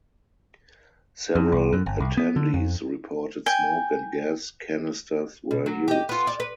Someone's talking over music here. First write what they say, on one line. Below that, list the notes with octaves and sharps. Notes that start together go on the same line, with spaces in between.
Several attendees reported smoke and gas canisters were used.
F2
C2
F#2
G1
C2
B3
D3
F2
G5 G#5
B2
F#3
G4 D#5
B3 F4
D5
B4